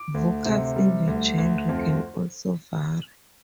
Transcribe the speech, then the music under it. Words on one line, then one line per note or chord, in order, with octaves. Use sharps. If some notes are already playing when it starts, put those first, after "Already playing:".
Vocals in the genre can also vary.
Already playing: D6
D2
C3
G3
D2
D2
F2